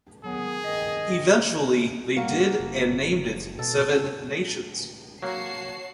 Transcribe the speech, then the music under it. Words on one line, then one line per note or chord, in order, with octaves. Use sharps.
Eventually they did and named it Seven Nations.
D#3 F#3 B3 G#4
G2 D#3 D#5
G2 A#3 F#4
F#1
B2 A4
C#4
F#3 A#3 F#4 C#5 A5 C7